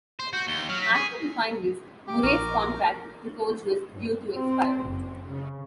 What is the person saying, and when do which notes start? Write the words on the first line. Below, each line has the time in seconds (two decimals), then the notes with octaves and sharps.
After the Finals, Murray's contract to coach was due to expire.
0.20 C5
0.33 F#4 G6
0.48 D#2 G7
0.69 F#3 F6
0.82 B6
0.95 G#4
2.08 G4 D6
2.23 A#1 A#4 C#6 F6
3.90 G2
4.31 C4
4.84 F#1
5.28 C#3